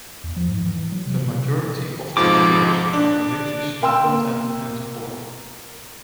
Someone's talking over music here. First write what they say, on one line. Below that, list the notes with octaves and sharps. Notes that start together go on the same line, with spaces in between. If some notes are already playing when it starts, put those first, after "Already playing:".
The majority of her works are religious in content and form.
E2
F3
G#2
E3
F#3
C3
C#3
C3
F2 G#2 F3 D6
D4
A#4 G5 C6 E6
A#3